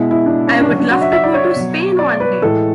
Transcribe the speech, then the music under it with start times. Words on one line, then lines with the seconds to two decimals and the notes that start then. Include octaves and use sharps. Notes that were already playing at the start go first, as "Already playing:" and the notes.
I would love to go to Spain one day.
Already playing: B2 G#3 E4
0.11 E4
0.26 D4
0.47 C#4
0.61 D4
0.69 C#3 F#3 C#4
0.80 D4
0.90 F#4
1.02 E5
1.12 E5
1.24 D5
1.34 C#5
1.56 B2 F#3
1.99 D5
2.20 B4
2.42 A2 E3 G#3 A4